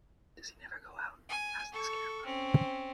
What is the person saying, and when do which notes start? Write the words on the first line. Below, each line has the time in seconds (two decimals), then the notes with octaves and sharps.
"Does he never go out?" asked the Scarecrow.
1.29 G#5
1.73 A4 C#6
2.25 C4 C#4